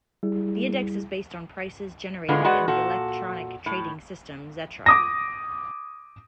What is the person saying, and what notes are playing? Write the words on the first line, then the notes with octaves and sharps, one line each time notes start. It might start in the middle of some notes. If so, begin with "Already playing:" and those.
The index is based on prices generated in the electronic trading system Xetra.
G3 E4 G#4
A2 D3 G#3 B3 F4
G#3 F#4 G#4 B4 D5 F#5
A#2 F#4 A4
A2
D6 D#6 A#6